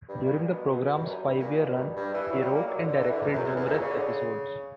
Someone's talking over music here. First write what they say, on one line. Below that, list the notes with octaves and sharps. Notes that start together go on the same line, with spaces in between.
During the program's five-year run he wrote and directed numerous episodes.
G2
G2
A#2
B2
G2
F#2
G2
A#2
A#2
B2
G2
G2
E3
F#3
G3
A#3
F#3
D3
D3
E3
D3
E2
F#2
E2
E2
A#2
C#3
D3
C#3